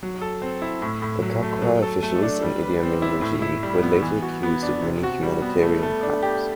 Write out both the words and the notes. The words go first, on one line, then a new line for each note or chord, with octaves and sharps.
The Kakwa officials in Idi Amin regime were later accused of many humanitarian crimes.
F#3
A4
C4
E4
A2
A2
F#3
A3
F#3
A4
A3
D4
G3
B4
C4
E4
A2
E4
G3
B3
E3
F#4
B3
D4
C3
F#4
G3
B3
A3
A3
D4
G4